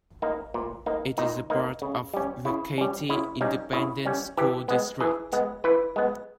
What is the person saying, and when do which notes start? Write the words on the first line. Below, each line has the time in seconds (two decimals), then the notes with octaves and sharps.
It is a part of the Katy Independent School District.
0.22 A#3 D#4
0.54 A#2
0.86 A#3 D#4
1.18 A#2 D#4
1.50 A#3 D#4
1.82 C#3
2.14 G3 C#4
2.45 C#3 E4
2.78 G3 C#4
3.09 C#3 E4
3.41 G3 C#4 D#4
3.73 C#3 E4
4.05 G3 C#4
4.38 E3 G4
4.68 G#3 B3
5.00 E3 G#4
5.32 G#3 B3
5.64 E3 B4
5.96 G#3 B3